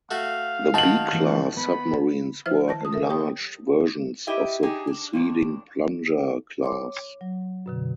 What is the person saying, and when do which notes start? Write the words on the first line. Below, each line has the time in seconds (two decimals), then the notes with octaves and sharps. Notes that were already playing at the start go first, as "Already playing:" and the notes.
The B-class submarines were enlarged versions of the preceding "Plunger" class.
0.11 A3 F#4 F5
0.74 D#3 F#4 A5 F#7
1.12 E3 A#3 C4
1.57 B3 B5
2.46 F3 E4 B4 C5 E5 F6
2.68 D#3 A5 A#6
2.81 A3 D#6
2.93 A4 A#4 E5
3.10 G4 C#5 G5 D#6
4.27 E4 G4 D#5 E5 G5
4.63 D4 D#4 G4 G#4
4.87 D4
5.13 F2 A2 D4
6.63 C#5 C6 D6
7.21 F#3
7.66 F#2 B2 D3